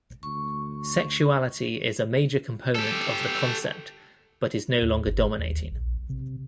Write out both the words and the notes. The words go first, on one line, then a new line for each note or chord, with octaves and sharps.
Sexuality is major component of the concept but is no longer dominating.
D2 C#6
G4 A4
D#2
G1
D#2
A#1
C3